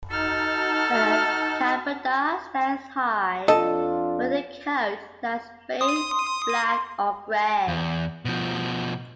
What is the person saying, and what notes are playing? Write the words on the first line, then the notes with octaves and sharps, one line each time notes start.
The Kabarda stands high, with a coat that is bay, black, or gray.
D#4 F#4 A4 A5 F6
F2 D4 F4 A4 D#5
C6 D#6
E2
B2 F3